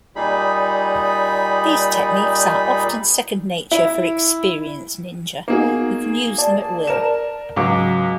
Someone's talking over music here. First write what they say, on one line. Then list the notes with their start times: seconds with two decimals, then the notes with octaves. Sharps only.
These techniques are often second-nature for experienced ninja, who can use them at will.
0.16 A#2 G3 D#4 G#4 B5
3.71 E4
5.48 A#3 B3 D#4 F#4 G#4
6.38 D5 A5
6.87 A#4 E7
7.56 C#2 G#2 F#3 D6